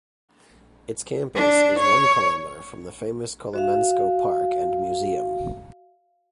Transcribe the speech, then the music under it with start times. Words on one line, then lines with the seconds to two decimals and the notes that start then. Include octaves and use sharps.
Its campus is one kilometre from the famous Kolomenskoe park and museum.
1.35 D4
1.79 C#5
3.53 F#4 E5 F5